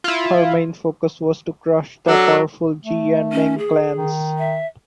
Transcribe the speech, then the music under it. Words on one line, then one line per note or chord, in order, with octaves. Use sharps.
Her main focus was to crush the powerful Ji and Meng clans.
E4 F4
F#3 D4 A4
A3
C#4
G#4
D#3
E5